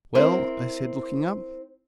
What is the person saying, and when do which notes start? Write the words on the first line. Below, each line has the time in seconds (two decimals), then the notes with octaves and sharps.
"Well?" I said, looking up.
0.15 C4 E4 A#4 C5